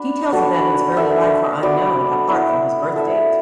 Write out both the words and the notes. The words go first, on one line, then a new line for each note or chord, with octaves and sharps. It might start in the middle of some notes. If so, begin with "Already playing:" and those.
Details of Evans' early life are unknown, apart from his birth date.
Already playing: D4 F#4 B4 D5
B3 D4 F#4 A4
D4 A4 E5
B3 F#4 D5
B3 E4 D5
E4 A4 E5